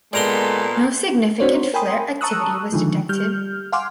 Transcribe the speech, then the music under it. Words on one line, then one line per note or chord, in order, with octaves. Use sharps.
No significant flare activity was detected.
A#2 G#3 B3 A4 D5 A#5 C6
C4 D4 F#4 C5 C#5
A#4 G5 G#5 B5 C6 D#6
A5 A#5 C#6 D#6 E6 F#6
D3 D#3 F3 G#3
G3 F6 G6
F5 F#5 G#5 C6 D6 F6